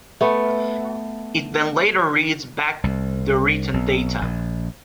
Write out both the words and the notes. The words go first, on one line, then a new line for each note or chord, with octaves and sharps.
It then later reads back the written data.
A3 B3
C2
B1
A#1